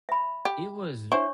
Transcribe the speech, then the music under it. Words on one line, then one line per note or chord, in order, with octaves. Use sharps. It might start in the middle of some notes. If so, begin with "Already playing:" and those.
it was
E5 B5
G4
D4 E4 C5 C#5 C#6